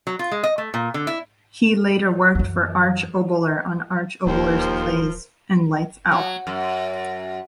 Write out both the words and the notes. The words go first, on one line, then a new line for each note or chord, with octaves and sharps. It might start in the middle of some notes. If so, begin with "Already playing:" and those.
He later worked for Arch Oboler on "Arch Oboler's Plays" and "Lights Out".
F#3
F4
G#3
D#5
A3
A#2
D3
E4
F#2 E3
D1 D#2 A#4 C5
F3
F#3
F#2